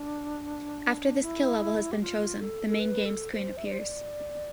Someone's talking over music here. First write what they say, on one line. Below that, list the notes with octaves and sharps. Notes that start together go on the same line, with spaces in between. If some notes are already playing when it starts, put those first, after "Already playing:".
After the skill level has been chosen, the main game screen appears.
Already playing: D4
E4
G4
F4
A4
A4
B4
A4
C5
E5
D5
C5
D5